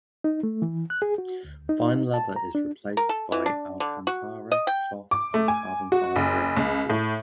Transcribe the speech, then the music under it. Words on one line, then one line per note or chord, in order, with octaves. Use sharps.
Fine leather is replaced by alcantara, cloth, and carbon fiber racing seats.
D#4
A3
E3
F#6
G#4
F#4
D2
D#4
A5
A#5
D4
A#4
A4
E3
D4
D3
F#4
D#5
G5
D6
A3
G#5
F#4
F#1
C#2
A2